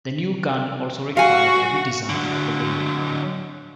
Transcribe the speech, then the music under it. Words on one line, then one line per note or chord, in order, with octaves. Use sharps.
The new gun also required a redesign of the wing.
F#4 F5 G#5
D3 F#3